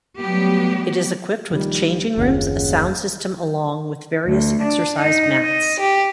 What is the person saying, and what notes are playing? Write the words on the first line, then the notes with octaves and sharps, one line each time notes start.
It is equipped with changing rooms, a sound system along with various exercise mats.
F#3 G3 A3 B3 G4
A#1 D#3 G3
F#1 D#2 C#3 F4 F#5
D2
D4
D#4
D#5
G4